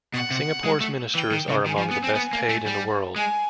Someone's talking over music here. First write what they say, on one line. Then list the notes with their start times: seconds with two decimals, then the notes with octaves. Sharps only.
Singapore's ministers are among the best paid in the world.
0.14 B2 F#5
0.30 C3
0.65 G#3
0.81 A3
1.14 E3 G5
1.32 D#3
1.49 C#3
1.65 D#3 G#5
1.78 F3
1.91 B3
2.04 C4
2.15 B3
2.33 A#3
2.49 A3
2.66 G3
3.16 G#3 G#5